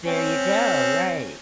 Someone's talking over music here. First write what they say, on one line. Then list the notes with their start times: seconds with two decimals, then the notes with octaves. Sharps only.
There ya go. Right.
0.06 C4 C#4